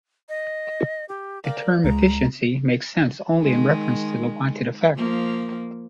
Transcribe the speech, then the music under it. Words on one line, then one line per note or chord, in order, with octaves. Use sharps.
The term "efficiency" makes sense only in reference to the wanted effect.
D#5
G4
A#4 D5 F5 G5
C#2 G#3 A#5
D#3 G#3
F3 A#3